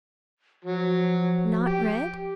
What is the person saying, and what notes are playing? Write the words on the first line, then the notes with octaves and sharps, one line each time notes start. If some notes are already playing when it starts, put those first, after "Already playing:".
Not red?
F3 F#3
G4